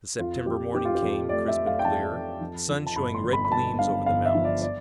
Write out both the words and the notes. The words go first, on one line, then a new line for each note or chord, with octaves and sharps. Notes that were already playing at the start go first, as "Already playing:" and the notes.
The September morning came, crisp and clear, the sun showing red gleams over the mountains.
F2 F4
F2 G4
F2 G4
F4
G4
F2
A3 D5
E5
A3
F5
G5
F2 A5
F2
F3
F3
A5
G1 B5
C6
G1
B5
B5
G1 A5
G2 F5
G1 F5
E5
F3
D5
D5